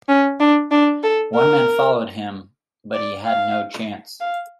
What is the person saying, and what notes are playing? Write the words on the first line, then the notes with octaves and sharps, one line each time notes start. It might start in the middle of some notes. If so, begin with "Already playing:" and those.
One man followed him, but he had no chance.
C#4
D4
D4
A4
A#4
D5
F5
F5